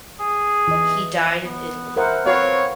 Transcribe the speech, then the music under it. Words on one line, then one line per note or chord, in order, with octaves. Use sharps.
He died in Italy.
G#4
E3 D#5
B3
E4 A#4 C5 F#5
C4 F#4 B4 C#5 F5